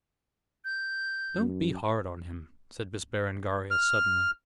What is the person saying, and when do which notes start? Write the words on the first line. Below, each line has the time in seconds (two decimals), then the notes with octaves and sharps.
"Don't be hard on him," said Miss Berengaria, suddenly.
0.65 G6
1.37 F#2
3.71 F6